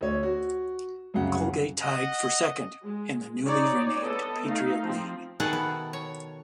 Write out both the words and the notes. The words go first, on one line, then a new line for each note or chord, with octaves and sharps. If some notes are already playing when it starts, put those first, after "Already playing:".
Colgate tied for second in the newly renamed Patriot League.
D2 C#5
F#4
C2 F#2 C#3 F#5
D#5 F#5
G#3
D#4 C#5 D5
B3 A4 D#5
A3 D#4 F5
F3 C4
B2 D#3 E4 G#4 A4 F#5
B3
C#5